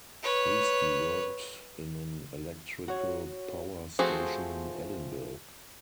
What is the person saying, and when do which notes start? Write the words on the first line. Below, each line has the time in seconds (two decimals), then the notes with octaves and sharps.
Hastie worked in an electrical power station in Edinburgh.
0.23 B4 C#5
2.88 F#4 C#5
3.99 F3 A3 C4 F#4 G#4